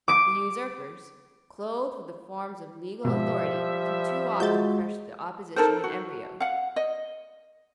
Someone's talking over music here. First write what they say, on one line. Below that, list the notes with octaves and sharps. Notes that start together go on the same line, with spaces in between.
The usurpers, clothed with the forms of legal authority, can too often crush the opposition in embryo.
D6 D7
G#2 B2 F3 G3 E5
G#3 F4 F#4 G6 A6
D#4 A4 A#4 C5
F#4
F5 F#5
D#5